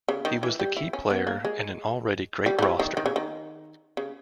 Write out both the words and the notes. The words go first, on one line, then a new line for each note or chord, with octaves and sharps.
He was the key player in an already great roster.
C#3
D#3
E3
G3
E4
C#4
B3
A#3
G#3
G3
G3
E3
D#3
D#3
C#3
D#3
C#3